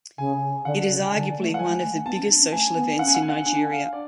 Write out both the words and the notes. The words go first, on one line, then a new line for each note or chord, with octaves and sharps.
It is arguably one of the biggest social events in Nigeria.
C#3 G#5
D3 F#5
C#3
G#5
D3 A5
A3
G#3
F#5
F#3 G#5
A3
A3
B3 A5
C#4
D4
C#4
A3 G#5
B3
C#4 F#5
G#5
F#5
G#5
F#5
D4 G#5
F5
D5